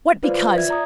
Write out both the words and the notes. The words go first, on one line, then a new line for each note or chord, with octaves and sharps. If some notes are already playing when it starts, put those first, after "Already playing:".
What because?
F4 B4 C5 D5 F5
F4
E5 G#6
D5 A#5 D#6